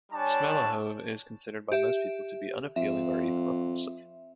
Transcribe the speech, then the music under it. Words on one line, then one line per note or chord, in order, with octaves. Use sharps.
"Smalahove" is considered by most people to be unappealing or even repulsive.
G3 D4 C#5 G#5 A5 C#6
G4 E5
F2 E5